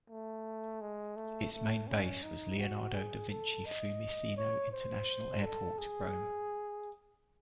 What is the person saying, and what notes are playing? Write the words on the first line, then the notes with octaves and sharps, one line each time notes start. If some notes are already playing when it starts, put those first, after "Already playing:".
Its main base was Leonardo da Vinci-Fiumicino International Airport, Rome.
A3
G#3
A3
A3
C#4
D#4
F#4
G#4
A4
D#5
C#5
C5
A4
G#4